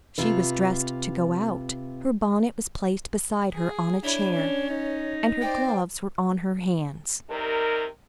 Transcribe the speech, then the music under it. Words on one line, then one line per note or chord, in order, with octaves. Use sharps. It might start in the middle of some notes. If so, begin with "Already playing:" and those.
She was dressed to go out, her bonnet was placed beside her on a chair, and her gloves were on her hands.
C3 F4 B4
G#4
D4 E4 C#5 B5
C#4
D#4
C5 D5 G5
C3 G3 D#4 A#4